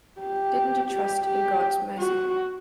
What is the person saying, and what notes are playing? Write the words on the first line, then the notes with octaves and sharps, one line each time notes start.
Didn't you trust in God's mercy?
G4
G4
G4
F#4